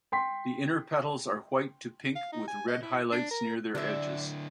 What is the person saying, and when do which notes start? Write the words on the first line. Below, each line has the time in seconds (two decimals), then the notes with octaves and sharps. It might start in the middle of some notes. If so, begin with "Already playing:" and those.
The inner petals are white to pink with red highlights near their edges.
0.12 G5 C6 B6
2.16 F5
2.32 D#4
2.48 G#5
2.68 D#5
2.83 E4
3.12 D4
3.31 A#4
3.75 D3 D4 E4 E5